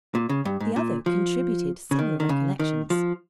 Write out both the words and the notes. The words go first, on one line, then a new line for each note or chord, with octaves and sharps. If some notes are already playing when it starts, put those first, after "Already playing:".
The other contributed similar recollections.
A#2
C#3
G2
G#2
A#2
F3
C#3
D#3
D#3
C#3
D#3
F3